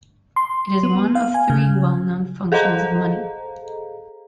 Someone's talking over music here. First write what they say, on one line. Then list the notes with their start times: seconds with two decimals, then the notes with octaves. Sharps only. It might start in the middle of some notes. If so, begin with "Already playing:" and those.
It is one of three well-known functions of money.
0.36 C6
0.83 B3
1.15 F5
1.34 G#5
1.50 C#3
2.52 G#4 A4 C5 D#5 F5 A#5